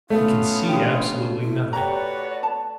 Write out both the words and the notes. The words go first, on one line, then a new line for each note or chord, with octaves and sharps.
He could see absolutely nothing.
A3 B3 C#4 F4
D4 G4
E4
F#4 G4 B4 C#5 D5 A#5
A5